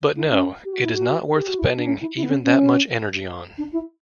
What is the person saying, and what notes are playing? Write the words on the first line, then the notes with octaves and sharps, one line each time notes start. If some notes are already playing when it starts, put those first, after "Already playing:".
But no, it is not worth spending even that much energy on.
E4
C#4
G4
F#4
E4
F#4
A#4
G4
F#4
E4
D4
C#4
E4
E4
B3
C#4
C#4
D4
E4